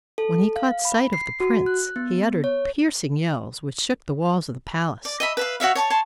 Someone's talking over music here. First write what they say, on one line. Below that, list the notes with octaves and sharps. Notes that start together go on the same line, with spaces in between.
When he caught sight of the prince he uttered piercing yells, which shook the walls of the palace.
A4
F5
B5
C7
F#4
F#6
B3
C#5
D5
D#5 E5 B5
B4 E5 F5
F#4 C#5 E5 F5
C#5 A5 C#6
C#5 A5 C6